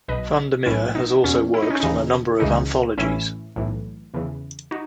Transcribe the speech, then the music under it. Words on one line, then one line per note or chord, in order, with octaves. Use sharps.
VanderMeer has also worked on a number of anthologies.
B1 B2 B4 D#5
B1 A2 E3 C#4 E4
D#4
E2 B2 C#4
E4
D#4
C#4
D#2 C#3 E3 D#4
C#2 C#3 E3 D#4
A1 A2 E3 C#4 E4
B1 A2 E3
E2 C#3 E3
D#4 F#4